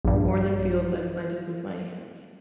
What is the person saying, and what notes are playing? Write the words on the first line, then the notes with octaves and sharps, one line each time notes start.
More than fields I've planted with my hands.
A#1 G2